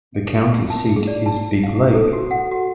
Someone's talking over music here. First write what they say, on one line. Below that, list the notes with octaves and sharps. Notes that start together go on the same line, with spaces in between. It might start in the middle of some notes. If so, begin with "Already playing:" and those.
The county seat is Big Lake.
A5
G#4
D5
A5
F5
A4
F#4
F#5
F#4